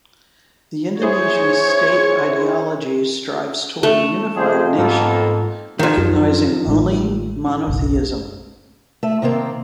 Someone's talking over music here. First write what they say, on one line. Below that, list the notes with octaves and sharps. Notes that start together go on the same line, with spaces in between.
The Indonesian state ideology strives toward a unified nation, recognizing only monotheism.
E4 G#4 C5 C#5
A3
F2 G#4 C5
G#2 A#3 B3 A4
D#3 F3
F#2
A1 G#3
F#1 B1
A3 E5
C3 D#3 A#3 C4